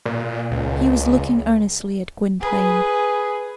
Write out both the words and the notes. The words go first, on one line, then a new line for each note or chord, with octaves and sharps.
He was looking earnestly at Gwynplaine.
A#2
C#2
G#4 B4